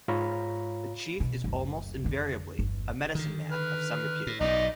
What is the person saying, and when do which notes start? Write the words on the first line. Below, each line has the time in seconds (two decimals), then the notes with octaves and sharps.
The chief is almost invariably a medicine-man of some repute.
0.08 G#2 F4 C#5 A#5 B5
1.20 B2
1.44 F#1 D2
2.04 F2 D3
2.59 G1 E2
3.15 D3 D#3
3.51 B4 F6
4.27 A2
4.40 B1 B2 D#4 D5 D#5